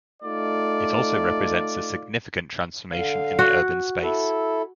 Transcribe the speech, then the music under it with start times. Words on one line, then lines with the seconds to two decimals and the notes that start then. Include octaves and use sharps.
It also represents a significant transformation in the urban space.
0.23 A3 D#4 F4 D5
2.92 D3 F5
3.39 F#4
4.03 E4 A4